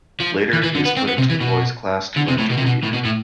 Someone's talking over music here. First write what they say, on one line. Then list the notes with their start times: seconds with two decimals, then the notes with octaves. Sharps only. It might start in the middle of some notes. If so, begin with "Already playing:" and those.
Later, he is put into the boys' class to learn to read.
0.20 F3
0.53 E3
0.63 E3
0.75 D3
0.85 B3
0.97 C4
1.08 B3
1.18 C3
1.30 E3
1.41 B2
2.17 D3
2.28 C3
2.39 A2
2.50 B2
2.58 C3
2.66 B2
2.84 A2
2.94 B2
3.05 A2